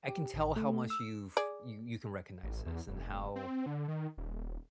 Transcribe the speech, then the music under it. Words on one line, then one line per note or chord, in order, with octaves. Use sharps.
I can tell how much you've you you can recognize this and how
G4
A1
A3
E6
G#4 D5
A1
E2
F1
C4
D3
D#3
D#1